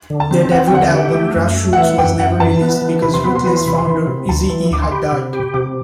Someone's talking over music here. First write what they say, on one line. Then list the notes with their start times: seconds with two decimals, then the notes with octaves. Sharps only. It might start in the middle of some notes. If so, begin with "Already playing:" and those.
Their debut album, "Grass Roots", was never released because Ruthless founder Eazy-E had died.
0.10 D3
0.20 A5
0.31 C4
0.52 C4 F#5
0.67 G5
0.73 D3 F#5
0.83 E5
0.94 G4
1.15 A3
1.36 F#2
1.56 A3
1.73 F#5
1.77 E3 E5
1.98 F#2 G5
2.19 F#2 F#5
2.40 E3 A5
2.61 B3
2.82 E3
3.02 C3 B5
3.14 C6
3.24 B3 B5
3.35 C6
3.45 E3 B5
3.57 C6
3.66 C3 B5
3.78 C6
3.87 E3 B5
4.07 C3
4.29 D2 A5
4.50 E3
4.71 D2 D6
4.82 C6
4.91 G4 B5
5.12 C3
5.33 G4
5.54 C3 D6